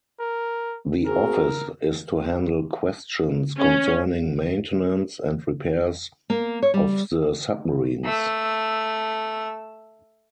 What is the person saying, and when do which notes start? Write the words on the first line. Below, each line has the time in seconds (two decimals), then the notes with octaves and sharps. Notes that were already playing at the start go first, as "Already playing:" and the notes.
The office is to handle questions concerning maintenance and repairs of the submarines.
0.20 A#4
1.06 C4 F#4 G#4 A#4
3.58 C#4
6.30 A#3
6.63 C#5
6.74 G3
8.05 A3 E6